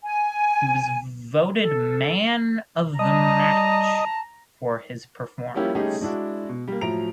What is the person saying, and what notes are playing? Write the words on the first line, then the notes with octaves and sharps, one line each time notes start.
He was voted man of the match for his performance.
G#5
A4
G3 D#5 A5 A#5
F3 G3 A#3 C#4 E4 G4
G3 A3 C#4 D#4 G4 G#4
G#3 D4 E4 F#4
B2
G3 A#3
A2 F3 F#3 A#5 D7 F7